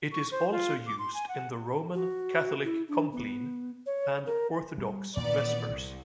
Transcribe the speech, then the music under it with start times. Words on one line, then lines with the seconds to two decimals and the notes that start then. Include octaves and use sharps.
It is also used in the Roman Catholic Compline and Orthodox Vespers.
0.12 C#6
0.31 C5
0.52 F4
0.87 D6
0.99 C6
1.14 G#5
1.29 F#5
1.94 F#4
2.64 E4
2.88 D4
3.12 B3
3.86 C#5
4.26 A#4
4.78 G3
5.17 A#2 D#3 E3 B3 D5
5.69 C2